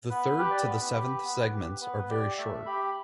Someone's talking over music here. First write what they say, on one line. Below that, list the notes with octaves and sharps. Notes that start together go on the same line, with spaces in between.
The third to the seventh segments are very short.
B3 B4
G4 B4
D5
B3 B4
G4
B3
G4
B3 B4
B4
G4 D5
A3 E5
G4 B5